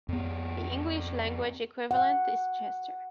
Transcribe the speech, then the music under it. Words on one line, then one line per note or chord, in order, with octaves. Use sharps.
The English-language equivalent is Chester.
F2 B3
F#5